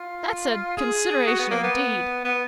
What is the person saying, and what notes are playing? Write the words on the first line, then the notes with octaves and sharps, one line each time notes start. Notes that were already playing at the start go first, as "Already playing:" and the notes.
That's a consideration, indeed.
Already playing: F4
G#4
F#4
B3
A#3
B3
B3